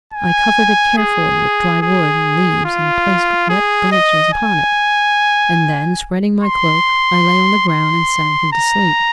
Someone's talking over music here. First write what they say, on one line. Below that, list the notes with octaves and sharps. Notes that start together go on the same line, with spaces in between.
I covered it carefully with dry wood and leaves and placed wet branches upon it; and then, spreading my cloak, I lay on the ground and sank into sleep.
G#5
G#4
G#4
F4
G#4
D#5
G#5
C6
C6
A#5